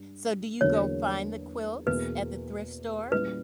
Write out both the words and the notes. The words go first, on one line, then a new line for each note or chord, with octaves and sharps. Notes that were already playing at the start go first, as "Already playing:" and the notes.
So do you go find the quilts at the thrift store?
Already playing: G2 G3
E2 D3 F#3 A#3 C#5
E2 B2 A#3 E4 B4
A#2 G3 C#4 E4 G4 B4